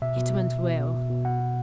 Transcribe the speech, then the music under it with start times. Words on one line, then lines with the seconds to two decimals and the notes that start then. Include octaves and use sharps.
It went well.
0.02 B2 E5
0.16 B2
0.32 B2
0.48 B2
0.63 B2
0.79 B2
0.94 B2
1.09 B2
1.25 B2 F#5
1.40 B2